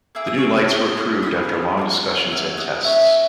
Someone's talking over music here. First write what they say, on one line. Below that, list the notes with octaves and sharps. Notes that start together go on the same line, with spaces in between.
The new lights were approved after long discussions and tests.
A#3 E4 G#4 E6
D#6
C#6 E6
B3 D#4 G#4
C#4 E4 G#4 B5 D#6
A#3 D#4 F#4
C#4 F#4 E5 G#5
D#5 F#5
C#4 F#4 C#5 E5